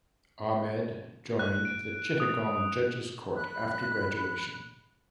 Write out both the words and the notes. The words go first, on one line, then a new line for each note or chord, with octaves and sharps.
Ahmed joined the Chittagong Judges Court after graduation.
F#6
D7
D#6
B5 F#6